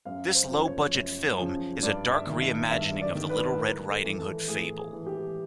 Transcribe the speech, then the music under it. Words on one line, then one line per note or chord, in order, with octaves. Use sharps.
This low-budget film is a dark reimagining of the "Little Red Riding Hood" fable.
F#2 F5
C5
C#3 F3
C#5
F#2
C#3 F3
G2 D5
E5
D#3
E5
G2 E5
D5
D#3
B4
A2 A#4
A4
E3
A4
A2 G#4
G#4
E3
G4